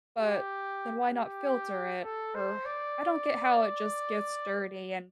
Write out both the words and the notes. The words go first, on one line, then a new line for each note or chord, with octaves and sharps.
but then why not filter it, or I don't get how it just gets dirty and
G4
G4
A4
C5
D5